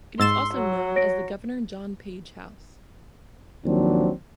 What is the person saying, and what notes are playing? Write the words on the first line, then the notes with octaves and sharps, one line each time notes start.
It is also known as the Governor John Page house.
G#2 C6 E6 A6 E7
F#3
C#5 A#6 D7
D#2 F3 F#3 C4 D4